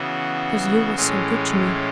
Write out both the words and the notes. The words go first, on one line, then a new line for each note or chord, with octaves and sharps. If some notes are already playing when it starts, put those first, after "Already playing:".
"Cause you was so good to me."
Already playing: C#3 E3 B3 F#4
A2 E3 G#3 C#4